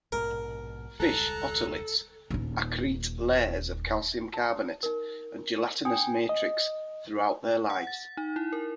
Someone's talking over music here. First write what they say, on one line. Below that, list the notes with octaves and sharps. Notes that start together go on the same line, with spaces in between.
Fish otoliths accrete layers of calcium carbonate and gelatinous matrix throughout their lives.
A#1 G#2 B2 A#4
E1 C#2 G3 A4 A#5 F#6
D#1 D#4
A5
D#4 A#4
D4 G5 G#5 D#6
D#5
F#5
A6
D#4
E4
A#4